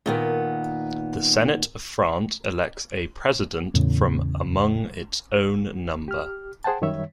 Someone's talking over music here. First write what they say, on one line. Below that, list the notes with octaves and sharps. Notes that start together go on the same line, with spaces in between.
The Senate of France elects a president from among its own number.
A#2 D#3 B3
E2 A2 C#3
G4 F6
G#4 C5 F#5 G5 A5
F#2 D#3 G3 C#5 E5